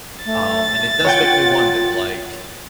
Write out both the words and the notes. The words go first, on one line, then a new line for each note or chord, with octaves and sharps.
Um, and it does make me wonder, like,
A3 A6
F4 C#5 F#5 G5